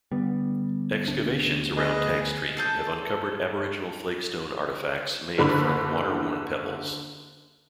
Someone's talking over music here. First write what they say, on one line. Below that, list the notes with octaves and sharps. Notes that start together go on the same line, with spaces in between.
Excavations around Tank Stream have uncovered aboriginal flake stone artifacts made from water-worn pebbles.
D3 G3 B3
D2 D4
G#4 B4 D#5
G#4 A4 G6
F#1 D3 B5